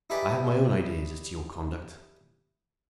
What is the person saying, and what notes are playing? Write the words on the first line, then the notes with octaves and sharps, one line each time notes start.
"I have my own ideas as to your conduct."
D#4 E4 G4 G#4 B4 D5